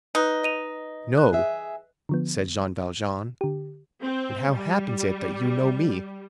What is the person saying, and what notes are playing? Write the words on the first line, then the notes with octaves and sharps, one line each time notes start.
"No," said Jean Valjean; "and how happens it that you know me?"
D#4 B4 F#6
D#5 D#7 F7
F#6
G#4 E5
D3 F3 B3
D3 G4
C4
G3